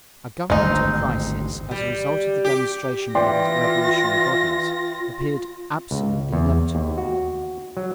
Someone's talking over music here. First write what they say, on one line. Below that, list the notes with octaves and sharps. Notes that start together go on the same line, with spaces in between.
A governmental crisis, as a result of the demonstration by these revolutionary bodies, appeared absolutely inevitable.
G#1 D2 G2 C4 D#4
G3
G4
E3 F4 D5 G5 C6 A#6
C#2
E2
D#2
F#4
F#3